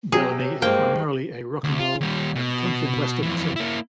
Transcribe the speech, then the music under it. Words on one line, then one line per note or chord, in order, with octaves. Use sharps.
Bellamy is primarily a rock 'n' roll and country-and-western singer.
C3 F#3 G4 G#4
G2 G#3 A#3 C5 G5
D2
F4
D#2 G3
B2
F2 E3
A#3 E4